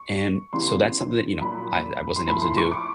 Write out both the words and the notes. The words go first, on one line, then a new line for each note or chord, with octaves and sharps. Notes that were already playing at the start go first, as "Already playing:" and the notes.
And so, that's something that, you know, I I wasn't able to do,
Already playing: C#6
E2 C#3 E3 G3 C6
A#2 F#3 B5
C6
A2 F3 B5
C6
C#6
D6